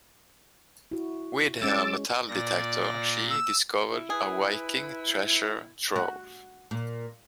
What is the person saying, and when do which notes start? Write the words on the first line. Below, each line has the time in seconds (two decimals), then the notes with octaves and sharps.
With her metal detector she discovered a Viking treasure trove.
0.91 E4 F#4
1.62 G#3 C#4 D6 E6 A6
2.28 A#2 D5 A#6
3.30 E6
3.92 E4
4.10 G#4 B4
5.96 F#4
6.71 A#2